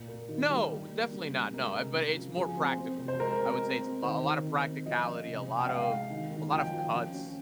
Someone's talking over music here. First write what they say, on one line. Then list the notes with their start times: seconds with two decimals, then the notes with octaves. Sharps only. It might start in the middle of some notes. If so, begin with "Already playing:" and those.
No, definitely not, no, uh, but it's more practical though. I would say it's lo lotta practicality, a lot of a lot of cuts
Already playing: A#2
0.08 A#3
0.29 D#3
0.50 G3
0.71 G3
0.91 A#3
1.12 C#3
1.33 G3
1.53 G#3 A#4
1.75 C3
1.95 C#4
2.16 F3
2.36 F3 G#4
2.57 C4
2.78 C4
2.99 C3
3.08 C5
3.19 G#3 A#4
3.41 C4
3.61 C4
3.82 C4
4.02 D#3 C5
4.24 D#3
4.44 C4
4.65 C4
4.86 F3 D#5
5.07 C#4
5.28 C3
5.48 C3
5.59 G5
5.69 G#3 F5
5.90 G#3
6.11 D#3
6.31 D#3
6.52 F3 G5
6.73 F3
6.93 C#4
7.14 C#4